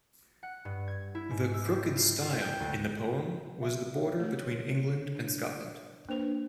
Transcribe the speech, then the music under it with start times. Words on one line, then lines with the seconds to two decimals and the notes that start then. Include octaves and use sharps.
The "crooked stile" in the poem was the border between England and Scotland.
0.43 F#5
0.65 G2
0.88 G#6
1.15 E4
1.30 G#2
1.54 E6
1.65 C4
1.96 F4
2.22 F4
2.42 G5
2.60 D2
3.62 E5
3.97 C#5
4.20 A3 G4
5.15 D4
6.09 A#3 D4 B4 C5 F7